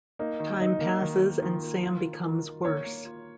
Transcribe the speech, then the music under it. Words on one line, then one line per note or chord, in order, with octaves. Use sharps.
Time passes and Sam becomes worse.
A#3 D#4
D#3
D#3 D#4
A#3
D#3
A#3
D#3 F4
A#3
F4
D#3
D#3
D#3
A#3 C#5
A#3
F4